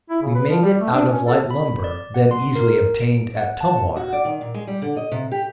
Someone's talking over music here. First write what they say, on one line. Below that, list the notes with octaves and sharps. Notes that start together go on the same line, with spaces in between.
We made it out of light lumber, then easily obtained at Tumwater.
E4
C#3
B4
F3
G3
A3
D4
C#4
A4
B5
D5
F#5
C6
A#4
D7
F#5
A5
F#4
D5
D#3
A#2
G#3
G3
D3
D#5
C3
G4